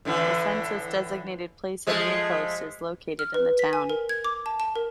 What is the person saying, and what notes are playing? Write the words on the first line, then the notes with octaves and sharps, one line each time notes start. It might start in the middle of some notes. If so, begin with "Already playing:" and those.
The census-designated place of New Post is located in the town.
A2 D3 E3
F3 G#3 A3
F6
B4
B6
G#5
A#4
G#6
D6
A5
A5
A#4